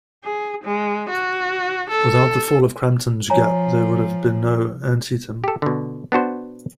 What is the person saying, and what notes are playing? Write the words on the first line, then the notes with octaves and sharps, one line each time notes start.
Without the fall of Crampton's Gap there would have been no Antietam.
G#4
G#3
F#4
A4
F3 C#5 G#5 A#5
G4 A4
B2 D3
B3 D4 F#4 C5